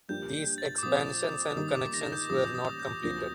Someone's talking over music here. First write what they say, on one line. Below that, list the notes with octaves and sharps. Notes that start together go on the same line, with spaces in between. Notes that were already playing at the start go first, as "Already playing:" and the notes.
These expansions and connections were not completed.
G2 F3 A#3 D4 G4 G6
A6
D6
A#2 F3 C4 D#6
G2 D#3 A#3 D#4 D#6
D6
A#6
G6
A1 G2 F3 D#6
D#6
G6
D2 C3 F3 A#3 D4 A#6